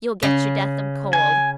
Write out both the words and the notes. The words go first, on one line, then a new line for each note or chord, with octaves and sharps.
You'll get your death of cold.
C#3
G#5